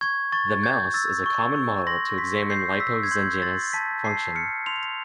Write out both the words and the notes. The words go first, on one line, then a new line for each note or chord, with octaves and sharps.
The mouse is a common model to examine lipoxygenase function.
C#6 G#6
C#6 A6
G6 G#6
E6 A6
C#6
C#6
C6 A#6
C6 B6
G6 C7
E6 B6
G#6
C6 G6
C6 A6
A5 B6
A5 C7
F6 C#7
C6 F7